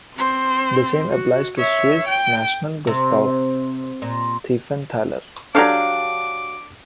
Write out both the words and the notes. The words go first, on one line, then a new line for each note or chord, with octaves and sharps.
The same applies to Swiss national Gustav Thiefenthaler.
C4 C5
F#4
C#5 E5
G5
C3
A#2
F#3 D4 G4 A4 F5 D6